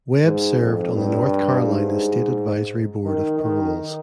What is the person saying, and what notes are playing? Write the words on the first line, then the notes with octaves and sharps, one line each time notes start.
Webb served on the North Carolina State Advisory Board of Paroles.
G#2
F2
G2
G#2
D#3
D#3